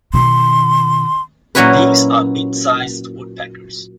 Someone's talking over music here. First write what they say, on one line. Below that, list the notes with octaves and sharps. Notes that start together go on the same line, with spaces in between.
These are mid-sized woodpeckers.
B2 D#3 C6
A#2 F#3 C#4 E4 F#4 B4